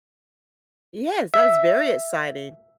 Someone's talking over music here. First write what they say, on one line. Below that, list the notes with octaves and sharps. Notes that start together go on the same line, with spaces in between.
Yes, that was very exciting,
E5